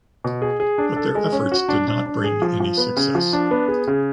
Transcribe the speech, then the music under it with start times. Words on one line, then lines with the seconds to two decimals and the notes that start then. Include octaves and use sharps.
But their efforts did not bring any success.
0.24 B2
0.42 G#4
0.60 G#4
0.78 D4
0.96 A4
1.15 G#3
1.32 C#4
1.52 F#4
1.69 D4
1.88 D4
2.06 D4
2.24 G#4
2.42 F3
2.60 F3
2.77 B3
2.97 C#3
3.15 F3
3.33 D4
3.51 B3
3.68 G#4
3.87 C#3